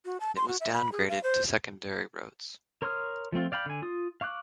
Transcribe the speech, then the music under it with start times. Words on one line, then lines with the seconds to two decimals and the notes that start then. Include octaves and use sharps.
It was downgraded to secondary roads.
0.05 F#4
0.20 A5
0.36 C6
0.48 F#4
0.60 E5
0.73 B5
0.92 G#4
1.09 F5
1.23 C5
2.82 A#4 C#5 C6 D#6 F6
3.32 F3 A3 C4 F4
3.52 D5 F5 G5 B5
3.66 D3 G#5
3.82 F4 D#6
4.21 F5 C#6 D6 F#6